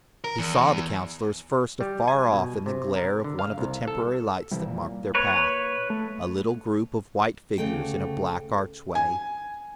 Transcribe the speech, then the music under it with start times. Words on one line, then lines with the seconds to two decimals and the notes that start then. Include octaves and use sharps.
He saw the Councillors first afar off in the glare of one of the temporary lights that marked their path, a little group of white figures in a black archway.
0.24 A#4
0.39 E2
1.81 G3
2.08 G#5
2.32 B2
2.66 C3
2.96 A#4
3.24 D3
3.39 F5
3.58 C2
3.88 A4
4.51 C3 E3 G3
4.66 A#2
5.15 B4 C#5
5.90 A3
7.58 D2 C#3 A3 G5
8.95 G#5